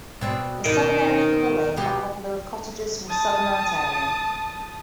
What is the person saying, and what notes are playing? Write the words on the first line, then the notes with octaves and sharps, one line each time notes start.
The southern areas of the lake are popular with cottagers from southern Ontario.
B2 C4 D4
D#2 B2 D#3 A#4 D#5
B2 G4
A5 D#6